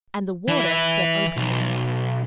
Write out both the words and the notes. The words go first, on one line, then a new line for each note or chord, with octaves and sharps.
And the Warder set open the gate.
E3 E4
B1